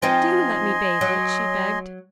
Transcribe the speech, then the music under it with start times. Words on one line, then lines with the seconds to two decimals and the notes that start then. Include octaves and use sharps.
"Do let me bathe it," she begged.
0.02 F3 C4 D#4 D#5 G#5 C6
1.01 F#3